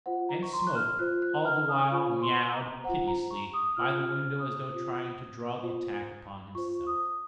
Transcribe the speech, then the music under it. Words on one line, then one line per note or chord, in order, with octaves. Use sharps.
And Smoke all the while meowed piteously by the window as though trying to draw the attack upon himself.
F4 C5 F#5
A#5
C#6
C6
F#6
F6
F4 C5 F#6
F#6
F6
D#6
F4 C5 C#6
C6
A#5
F4 C5 F#5
A#5
C#6
D#6
D#6
F4 C5 F6
F6
D#6
F4 C5
F4 C5
F4 C5 C#6
D#6